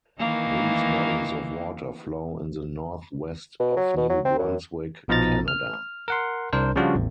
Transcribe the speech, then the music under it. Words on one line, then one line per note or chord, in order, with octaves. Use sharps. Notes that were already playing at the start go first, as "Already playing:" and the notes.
These bodies of water flow in the North-west of New Brunswick, Canada.
D#3 E3 A#3
B2
F#3
B2
F#3
C4
F#2
A#1 B2 F3 D#4 A#5 A6
F6
A#4 F#5 C6
C2 D4 A#4 C5
C#3 F3 G3 D4 F4 F#4
A1 E2